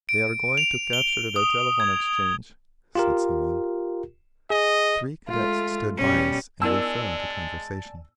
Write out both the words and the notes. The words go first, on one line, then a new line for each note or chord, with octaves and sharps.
"They are going to capture the Telephone Exchange," said some one. Three cadets stood by us, and we fell into conversation.
D7
F7
G7
D#6
G#6
F4 G4 A#4
G#4 D#5
G#3 A3 F4
B2 G3 C#4
G#3 B3 E4 A#4 D5 G#5 A5 E6